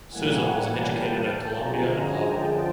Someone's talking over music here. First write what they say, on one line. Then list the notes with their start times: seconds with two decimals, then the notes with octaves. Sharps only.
Souza was educated at Columbia and Harvard.
0.11 A2 E3 G3 A#3 F#5 G#5
0.82 G5 A5
1.54 F#2 D3 F3 G#3 G#5 A#5
2.26 G5 A5